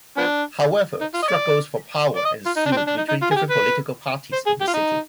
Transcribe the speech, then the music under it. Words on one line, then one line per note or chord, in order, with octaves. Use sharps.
However, struggles for power ensued between different political parties in the city.
F3 B3 D4
D#4
F4
D#5
D5
D5
D#5
F4
D#4
D4
C4
D4
D4
D#4
D#4
F4
G#4
G4
B4
C5
G#4
G4
F4
D#4